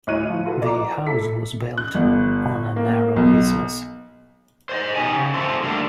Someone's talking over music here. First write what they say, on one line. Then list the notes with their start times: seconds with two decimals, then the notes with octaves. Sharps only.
The house was built on a narrow isthmus.
0.07 D2 A2 C#5 D#5 F#6 D#7
0.29 F3
0.45 F4 F#4 A4 B4
0.62 D5 D#5 A#5 D6
1.06 A3 E4 A4 B6
1.78 F#6
1.95 G1
2.76 A#3
3.16 B1
4.69 C5 D5 D#5
4.95 B2 C#4 D#4 G4 G#5
5.15 C#3
5.34 C4 E4 F4 A4 C5
5.63 D3 G3 A3 A#3 D4